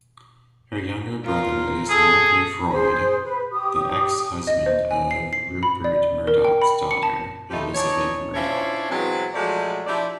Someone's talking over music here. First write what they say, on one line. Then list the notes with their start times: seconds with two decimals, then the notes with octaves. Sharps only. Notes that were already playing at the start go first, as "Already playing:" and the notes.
Her younger brother is Matthew Freud, the ex-husband of Rupert Murdoch's daughter Elisabeth Murdoch.
1.25 F4 A#4
1.90 G#4 A4
2.71 G#4 C5
3.25 B4
3.51 G4 D#6
4.47 D#5
4.66 C5
4.91 G#5
5.11 C7
5.33 C7
5.63 B5
5.84 D5
6.27 A#4
6.45 G5
6.62 B5
6.91 C#7
7.03 A5
7.51 F3 G3 A3 D#4 F4 G4
7.75 E3 D4 D#4 C#5
8.34 C#4 D4 E4 F4 C5 C#5
8.90 E3 F#3 G#3 B3 C4
9.34 F3 F#3 G#3 A3 D5
9.87 F3 D4 E4 G4 D5